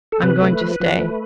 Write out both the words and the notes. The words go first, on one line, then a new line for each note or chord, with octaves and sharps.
"I'm going to stay."
A4
C3 B4
A3
F3
F3
A3